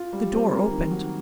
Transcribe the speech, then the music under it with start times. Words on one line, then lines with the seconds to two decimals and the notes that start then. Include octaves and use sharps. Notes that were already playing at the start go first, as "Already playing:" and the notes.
The door opened.
Already playing: F4
0.13 G3
0.32 C4
0.53 A#3
0.71 D#3
0.91 F#3